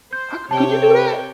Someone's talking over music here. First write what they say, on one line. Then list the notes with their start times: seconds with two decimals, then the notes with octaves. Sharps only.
I cou Could you do that?
0.13 C5 G6
0.51 C3 G4 C#5 G5 A5